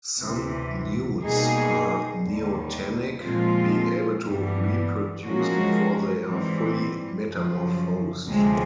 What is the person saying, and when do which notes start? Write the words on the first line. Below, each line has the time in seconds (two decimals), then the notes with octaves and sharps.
Some newts are neotenic, being able to reproduce before they are fully metamorphosed.
0.20 D2 C3 E3
1.21 B2 G3 A#3 D#4 G#4
2.22 D#2 D3 G3
3.23 A#2 F3 G#3 C4 F4
4.23 G2 E3 G3 B3
5.24 F3 G#3 C#4 F#4 A#4
6.25 G#2 E3 G3 C4
7.26 F#2 C#3 F3
8.27 D2 C3 F3 G#3 C#4